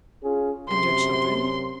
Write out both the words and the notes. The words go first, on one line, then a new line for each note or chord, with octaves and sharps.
"And your children?"
C#4 F4 G#4
F#2 C3 C6